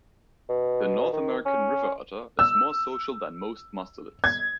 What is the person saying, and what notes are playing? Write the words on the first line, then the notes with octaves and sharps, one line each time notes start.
The North American river otter is more social than most mustelids.
B2
D#3
C#4
E6
G#6